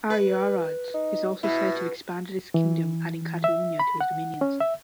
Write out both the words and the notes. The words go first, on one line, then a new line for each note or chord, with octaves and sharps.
Ariarathes is also said to have expanded his kingdom adding Cataonia to his dominions.
B4
D#4
B2 E4
E3
E5
B5
F#5
C#4
E5